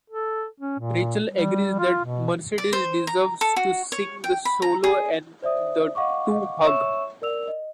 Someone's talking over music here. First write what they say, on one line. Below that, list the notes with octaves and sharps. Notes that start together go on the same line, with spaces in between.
Rachel agrees that Mercedes deserves to sing the solo and the two hug.
A4
C#4
A#2
G3
F4
B2
D5
C5
A#5
A4
F#4
C#5
G5
B5
A#5
G#4
C5 D5 E5 D#6
D#5 F5 F#5 C#6 D6
C#5 E5 C#6 E6 E7
A#4 D5 E6 F7
D#5